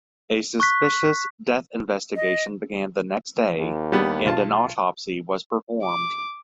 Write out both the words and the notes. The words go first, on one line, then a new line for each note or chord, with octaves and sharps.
A suspicious death investigation began the next day and an autopsy was performed.
C#6 F#6 B6
D#5
D#2
G3 B3 D4
B1 F4 A5
D6